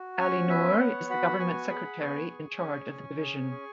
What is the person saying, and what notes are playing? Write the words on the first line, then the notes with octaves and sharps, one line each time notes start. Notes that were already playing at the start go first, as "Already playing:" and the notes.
Ali Noor is the government secretary in charge of the division.
Already playing: F#4
C#4 G#5 C#6
B3 E5 G#5
B3 C#5 F#5
F#4 F#5 B5
B3 G#5 C#6
G#4 F#5 B5
B3 G#5 C#6
G#4
C#4
C#4
G#4
G#4